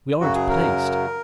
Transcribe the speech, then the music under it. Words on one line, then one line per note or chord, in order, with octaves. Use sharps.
We aren't placed.
F#2 C#3 F#3 F#4
G#4
A#4